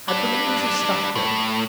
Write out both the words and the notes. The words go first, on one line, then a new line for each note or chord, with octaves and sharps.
I believe he's a stockbroker.
G3 D4
A2